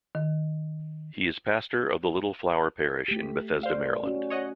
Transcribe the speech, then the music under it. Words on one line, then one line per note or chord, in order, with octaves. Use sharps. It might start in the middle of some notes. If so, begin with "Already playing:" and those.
He is pastor of the Little Flower Parish in Bethesda, Maryland.
D#3
A3 G4 B6
C5 D5 F5
C#4 F#4
C#5 D#5 F#5